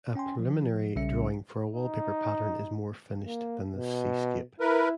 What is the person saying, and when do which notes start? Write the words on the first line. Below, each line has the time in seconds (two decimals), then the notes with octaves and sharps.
A preliminary drawing for a wallpaper pattern is more finished than this seascape.
0.15 C#4 G5 G#5 C6
0.39 F3
0.96 B1 C#3 G3 C#4 E5 C#7
1.74 D#4
3.25 A#3
3.76 B2
4.60 E4 A#4 B4